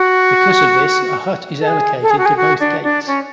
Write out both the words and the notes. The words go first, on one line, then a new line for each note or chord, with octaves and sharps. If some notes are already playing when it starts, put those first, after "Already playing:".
Because of this, a hut is allocated to both gates.
Already playing: F#4
A4
G#4
A4
G#4
F#4
G#4
F#4
D4
D4
C#4